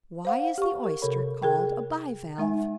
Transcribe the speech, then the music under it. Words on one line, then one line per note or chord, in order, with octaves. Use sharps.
Why is the Oyster called a bi-valve?
C5 F5 F#5
G4 C#6
A#4
C3 A4 A#4 C#5 B5
G#4 A#4 G5
G#3 D#4 E5 G#5